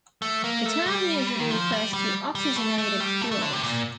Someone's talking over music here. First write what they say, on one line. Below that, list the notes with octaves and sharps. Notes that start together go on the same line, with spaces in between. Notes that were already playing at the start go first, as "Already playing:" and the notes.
The term usually refers to oxygenated fuels.
A3
A#3
A3
G3
D#3
F3
G3
G3
G3
A3
A3
G3
A3
A3
D3
C3
A#2